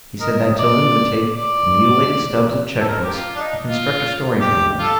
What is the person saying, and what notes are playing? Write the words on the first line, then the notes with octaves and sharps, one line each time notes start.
He said that Tilden would take the mutilated stubbs of check-books, and construct a story from them.
A#4 D#5
D#5
D5
D5
A4
A#4
G4
F4
D4
D#4
F4
G4
F4 A4